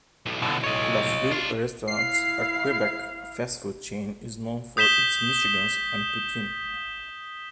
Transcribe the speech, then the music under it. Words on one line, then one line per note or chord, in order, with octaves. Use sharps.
Lafleur Restaurants, a Quebec fast food chain, is known for its Michigans and poutine.
B1 A2
B2 D3
C#5 D#5
D4 F4
E4 F5 C7
D#6 G6 B6 E7 G7